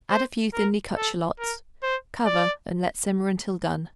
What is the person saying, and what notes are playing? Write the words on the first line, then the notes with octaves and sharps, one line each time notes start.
Add a few thinly cut shallots. Cover and let simmer until done.
C5
A#4
A4
A#4
C5
D5